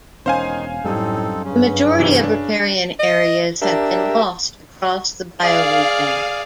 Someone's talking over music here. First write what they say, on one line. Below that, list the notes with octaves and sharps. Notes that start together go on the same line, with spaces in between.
The majority of riparian areas have been lost across the bioregion.
E1 D#3 C#4 D#4 C5 F5 G#5
F#2 A2 G3 C4 D#4 A4
G2 C#3 C#4
C3 E3
D4
D#5
D4 G4 A#4 E5
G#4 D5 F5